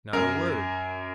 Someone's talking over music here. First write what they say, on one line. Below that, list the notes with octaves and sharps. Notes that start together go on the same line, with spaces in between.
"Not a word."
F#2 A#4